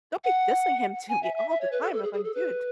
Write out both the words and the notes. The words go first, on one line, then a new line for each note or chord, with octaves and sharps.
don't be dissing him to me all the time. I'm going, “Dude"
F#5
G#5
E5
E5
E5
C#5
B4
A4
A4
G#4
G#4
A4
B4